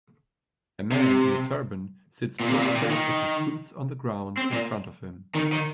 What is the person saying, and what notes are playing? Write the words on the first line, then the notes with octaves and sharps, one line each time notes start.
A man in a turban sits prostrate with his boots on the ground in front of him.
C3
A#2
C3
A#2
C3
A#2
C3
A#2
D#3
C4
A#2
D#3
D#3